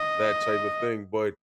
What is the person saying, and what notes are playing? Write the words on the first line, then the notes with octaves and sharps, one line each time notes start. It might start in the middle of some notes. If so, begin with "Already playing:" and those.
that type of thing, but,
Already playing: D#5